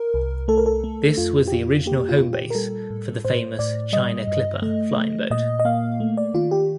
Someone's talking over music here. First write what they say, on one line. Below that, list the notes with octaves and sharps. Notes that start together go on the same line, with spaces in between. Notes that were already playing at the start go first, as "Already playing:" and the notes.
This was the original home base for the famous China Clipper flying boat.
Already playing: A#4
C2
A3 A4
A#4
A4
A3
F2 F4
G4
F2 F4
A#3 G4
F4
A#2
G4
A#4
G3 A4
A2
A2 C5
A2 D5
G3 D#5
G2
A3
A3
A#2 D#5
D#5
A#3 F5
A3
D5
D#3 F4
G4